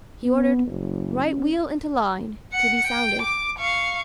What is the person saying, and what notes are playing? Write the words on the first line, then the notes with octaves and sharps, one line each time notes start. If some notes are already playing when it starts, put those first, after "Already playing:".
He ordered 'Right wheel into line' to be sounded.
B3
F#1
C#4
F#5 C#7
G5
D6
F5 C#6